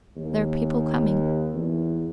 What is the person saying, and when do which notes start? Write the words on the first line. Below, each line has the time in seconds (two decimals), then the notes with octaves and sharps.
There are people coming....
0.16 D#2
1.53 E2